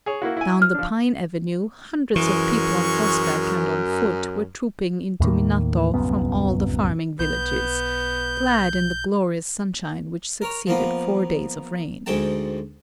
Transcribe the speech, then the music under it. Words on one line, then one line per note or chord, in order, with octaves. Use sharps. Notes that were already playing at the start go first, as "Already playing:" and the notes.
Down the pine avenue hundreds of people on horseback and on foot were trooping into Minato from all the farming villages, glad in the glorious sunshine which succeeded four days of rain.
G#4 C#5
A#3 E4 F#4
E4 G#5
F6
F3 D4
F#2 E3 G#3 C#6
D#2 A2 D#3 A#3
D1 C2 F#2 B3
B1 B3 G6
A#4 C#5
F3 A#3 B3
D2 G#2 G#3 G5 A5